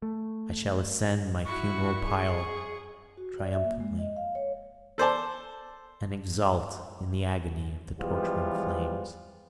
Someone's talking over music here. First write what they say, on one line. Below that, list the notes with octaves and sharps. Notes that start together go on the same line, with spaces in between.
I shall ascend my funeral pile triumphantly and exult in the agony of the torturing flames.
A3
E4 F#4 C#6
G#4
F#4
D5
E5
A#3
G#3
D#5
F5
C#5
A4 C5 D5 A5
E3 F3 G3 G#3 B3 F4